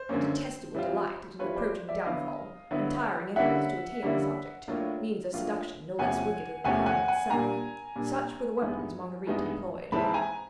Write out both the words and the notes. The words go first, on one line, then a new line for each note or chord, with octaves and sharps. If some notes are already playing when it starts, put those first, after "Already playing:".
A detestable delight at an approaching downfall, untiring efforts to attain this object, means of seduction no less wicked than the crime itself--such were the weapons Marguerite employed.
Already playing: C5
F#2 D3 F#3 A#3 C#4
E3 G3 C4 F4
E3 G3 C4 F4 B4 C#5
C5 D5
D5 E5
D3 F#3 B3 E4 D#5 F5
D3 F#3 B3 E4
D3 G3 A#3 C#4 E4 E5 F#5
D3 G3 A#3 C#4 E4
A2 F#3 A#3 D4 F4
A2 F#3 A#3 D4 F4
E2 C3 F3 A3 C#4 F#5 G#5
E2 C3 F3 A3 C#4 F#5 G#5
F#5 G#5
F#5 G#5
A#2 G3 A#3 D4 G#5 A#5
A#2 G3 A#3 D4
G2 E3 G#3 B3 D#4
G2 E3 G#3 B3 D#4
G#2 E3 G#3 C4 E4 A5 B5
G#5 A#5